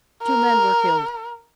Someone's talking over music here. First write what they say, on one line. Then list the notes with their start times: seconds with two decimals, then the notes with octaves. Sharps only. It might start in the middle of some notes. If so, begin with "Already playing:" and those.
Two men were killed.
0.23 A#4